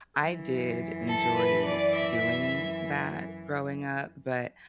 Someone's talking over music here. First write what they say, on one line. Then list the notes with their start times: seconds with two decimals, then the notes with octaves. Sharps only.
I did enjoy doing that growing up, but
0.19 F#2 E3
1.07 A4
1.35 B4
1.65 D5
1.94 E5